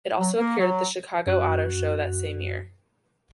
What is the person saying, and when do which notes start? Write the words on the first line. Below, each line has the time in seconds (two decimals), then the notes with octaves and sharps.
It also appeared at the Chicago Auto Show that same year.
0.19 F#3
0.37 A#3
0.59 F#3
1.27 F#2 F#4 F#6